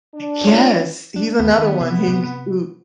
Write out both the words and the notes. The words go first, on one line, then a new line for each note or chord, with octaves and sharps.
Yes, he's another one, he c ooh,
D4
C#4 F4
D4
D#2 B3
D#3
C3
C3